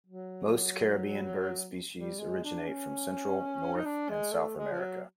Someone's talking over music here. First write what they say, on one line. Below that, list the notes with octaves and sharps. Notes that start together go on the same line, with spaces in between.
Most Caribbean bird species originate from Central, North and South America.
F#3
G3
G#3
D4
C#4
D#4
D4
G#3
A3
G#3
F3
F#3